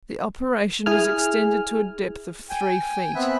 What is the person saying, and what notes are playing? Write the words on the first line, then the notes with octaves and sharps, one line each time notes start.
The operation was extended to a depth of three feet.
E4 G#4 G#5 F6
G5 G#5
B3 C4 E5 B5 F#6